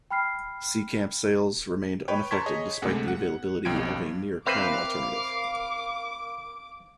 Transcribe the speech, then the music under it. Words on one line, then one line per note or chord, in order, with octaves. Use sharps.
Seecamp sales remained unaffected despite the availability of a near clone alternative.
G5 B5 F6 C7
B4 C#5 G5
A5 A#5 C6 C#6 G#6 B6
G#4 C#5 D#5
D2 C3 G#3 A3 F#5
F#5
B1 F2 G5 G#6 D7
C4 A#4 B4 E5 F5 B5 D6